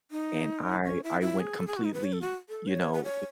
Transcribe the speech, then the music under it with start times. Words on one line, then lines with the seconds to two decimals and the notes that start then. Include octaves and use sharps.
and I I went completely, you know,
0.11 D#4
0.84 C#4
1.04 E4
1.21 E4
1.40 G#4
1.58 A4
1.67 G#4
1.77 F#4
1.85 D#4
1.94 B4
2.04 C#5
2.13 A4
2.21 F#4
2.49 A4
2.67 C#5
2.93 B4
3.04 C#5